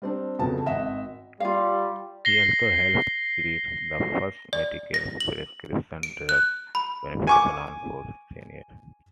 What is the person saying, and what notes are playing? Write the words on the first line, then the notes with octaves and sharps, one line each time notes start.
He also helped create the first Medicare Prescription Drug benefit plan for seniors.
G3 C4 D4
F2 C#3 F#3 B3 A4 A5
G#1 D#5 E5 F#5 E7
G3 F4 F5
A#6 C7 G7
D5
A#6
F#7
D7
F#6
B5
G#5 C#6 D6